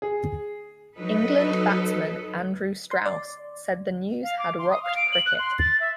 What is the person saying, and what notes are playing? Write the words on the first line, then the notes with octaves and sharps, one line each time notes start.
England batsman Andrew Strauss said the news had rocked cricket.
G#4
F#3 D#4 A4 B4
C6
D5
F5
D6
C6
D#6
F5
D7
F#7
F#6
C6
A6
E5